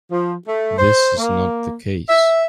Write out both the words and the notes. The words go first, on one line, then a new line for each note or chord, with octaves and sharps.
This is not the case.
F3
A3
C5
A#3
E5